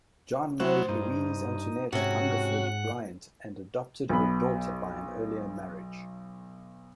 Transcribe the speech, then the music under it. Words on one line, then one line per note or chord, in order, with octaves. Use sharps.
John married Louise Antoinette Hungerford Bryant and adopted her daughter by an earlier marriage.
F#3 A3 E4 F#4 C5 F#5
G2 D#4
G#2 C3 C#4 F#4 F#5
B1 B3 B5